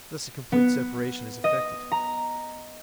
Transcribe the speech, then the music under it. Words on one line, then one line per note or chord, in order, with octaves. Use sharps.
Thus a complete separation is effected.
B3
D#5
A#5